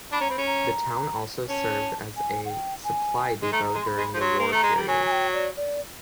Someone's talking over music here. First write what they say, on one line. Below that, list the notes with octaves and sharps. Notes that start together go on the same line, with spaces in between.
The town also served as a supply depot during the war period.
D4 B5
C#4 A#5
C4 B5
C#4
A#5
C#4 A5
G#5
F#5
G5
G#5
G#3
A3 A#5
G#3
C6
B5
G#3
F3
F#3 C6
A#3
A3 A#5
G#3
G3
F#3 G#5
G#5
G5
D5
D5